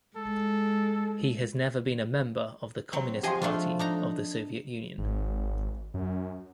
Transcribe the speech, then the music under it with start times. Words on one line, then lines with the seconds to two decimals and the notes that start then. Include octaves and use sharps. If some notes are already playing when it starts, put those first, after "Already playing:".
He has never been a member of the Communist Party of the Soviet Union.
0.17 G#3 A4
2.93 F#3 C4
3.23 F3 G4 G#4 D#5 G5 C6
3.42 F3 A3 D4 F4
3.79 D4 D#4 A#5
4.98 G#1
5.94 F#2